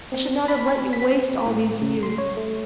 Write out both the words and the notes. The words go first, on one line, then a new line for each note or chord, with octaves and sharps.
I should not have let you waste all these years.
C4
B5
B6
C4
A2
C#3
C6
C#5
A3